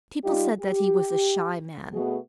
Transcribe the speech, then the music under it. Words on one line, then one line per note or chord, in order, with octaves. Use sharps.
People said that he was a shy man.
G3 D#4 F4 G4
G4
B2 A3 B3 F#4 G#4